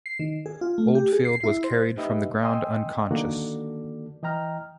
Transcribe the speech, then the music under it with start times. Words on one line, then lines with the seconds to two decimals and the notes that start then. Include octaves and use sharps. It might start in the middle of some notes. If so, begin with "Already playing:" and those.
Oldfield was carried from the ground unconscious.
0.06 C7
0.19 D#3
0.46 G#4
0.61 F4
0.78 A3
0.95 G4
1.13 G#4
1.25 C7
1.44 E4
1.64 C5
1.97 D#4 G4 B4 D#5 E5
2.43 D#5 G5 G#5 C6 D#6 E6
3.11 D3 D#3 A#3 F#4 A4 D5
4.23 E3 D#5 G5 A#5 F6